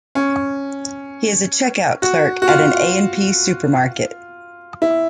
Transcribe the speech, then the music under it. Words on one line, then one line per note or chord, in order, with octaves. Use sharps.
He is a checkout clerk at an A and P supermarket.
C#4
F#4
F#4
F4
E4